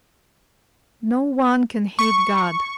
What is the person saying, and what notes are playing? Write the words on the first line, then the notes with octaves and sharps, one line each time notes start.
No one can hate God.
C#6